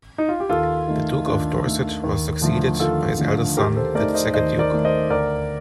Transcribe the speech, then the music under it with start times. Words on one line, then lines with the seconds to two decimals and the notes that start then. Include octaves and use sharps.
The Duke of Dorset was succeeded by his eldest son, the second Duke.
0.18 D#4
0.29 F4
0.40 G4
0.49 D#2 F4 A4
0.88 D#3 A3
1.26 D#2 D4 F4
1.65 D#3 A3
2.04 D#2
2.41 D3 F3 A3
2.80 D#2 F4 A4
3.19 D3 F3 A3
3.57 D#2 G4 A#4
3.76 A4 C5
3.95 A3 A#4 D5
4.00 D#3
4.14 C5 D#5
4.33 D#2 C5 D#5
4.59 A#4 D5
4.72 D#3 A3
4.85 C5 D#5
5.10 D2 A#4 D5